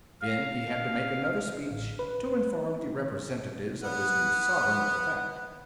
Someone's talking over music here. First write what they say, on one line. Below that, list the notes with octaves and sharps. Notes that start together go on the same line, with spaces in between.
Then he had to make another speech, to inform the representatives of his new sovereign of the fact.
F5
A1
B4
B3 F#5